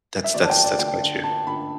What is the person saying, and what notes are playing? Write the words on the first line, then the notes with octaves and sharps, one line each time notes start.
That's that's that's quite true.
E5
D2 D5
A5
G5
D2
D5
D2 G5
D3
D4 A5
D3 B5